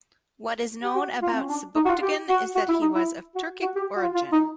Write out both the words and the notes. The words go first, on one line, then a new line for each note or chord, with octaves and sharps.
What is known about Sebuktigin is that he was of Turkic origin.
G4
F#4
F4
C4
C#4
D4
D#4
F#4
F4
G4
F#4
F#4
E4
D#4
E4
F#4
F#4
G4
F#4
F4
F4
D#4